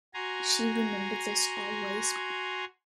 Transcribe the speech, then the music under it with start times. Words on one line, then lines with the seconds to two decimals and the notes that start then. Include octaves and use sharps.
She remembered this always.
0.14 F#4 G#5 A#5 C6